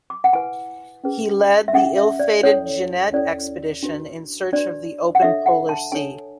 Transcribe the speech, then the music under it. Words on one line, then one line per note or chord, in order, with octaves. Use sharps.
He led the ill-fated Jeannette Expedition in search of the Open Polar Sea.
D6
F#5
E4 B4 G#5
C#4 G#4 B4
E5
C#4 G#4 B4 F#5
E5
D5
C#4 E4 A4 C#5
C#4 E4 A4 C#5 D5
D4 F#4 B4
D4 F#4 B4 D5
F#5
D4 A4 C#5 E5
F#5
A5
D4 A4 C#5 G#5